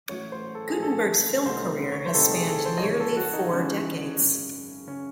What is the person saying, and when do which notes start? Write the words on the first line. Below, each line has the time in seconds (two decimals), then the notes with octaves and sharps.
Guttenberg's film career has spanned nearly four decades.
0.09 A1 A2 F#3 A3 C#5
0.32 C5
0.55 A4
0.69 G#4
0.78 A1 A2 F#3 A3 A4
1.46 C2 C3 D#3 A3 C5
1.91 C#5
2.06 C5
2.14 C2 C3 D#3 A3 A4
2.32 G#4
2.49 A4
2.65 C5
2.78 D#5
2.82 E2 C#3 E3 G#3 C#5
3.00 A4
3.17 F#4
3.33 D#4
3.50 E2 C#3 E3 G#3 C#4
4.19 G#1 F#2 C#3
4.88 C#3 C#4